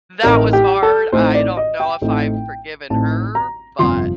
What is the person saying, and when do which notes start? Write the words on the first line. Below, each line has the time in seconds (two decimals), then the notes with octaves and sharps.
that was hard, I don't know if I've forgiven her but
0.23 A1 A2 A3 C4 D#4 A#4
0.53 G4
0.83 A4
1.13 A1 A2 A3 C4 D#4 C5
1.35 D5
1.57 D#5
1.80 G5
2.02 A1 A2 A3 C4 D#4
2.90 A1 A2 A3 C4 D#4 A5
3.35 A#5
3.79 G1 F2 C3 F3 C6